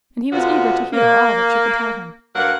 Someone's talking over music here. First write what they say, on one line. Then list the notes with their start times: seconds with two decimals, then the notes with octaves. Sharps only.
And he was eager to hear all that she could tell him.
0.32 D2 C3 B3 F4 F#4
0.93 A#3
2.35 G2 F#3 A#3 F#5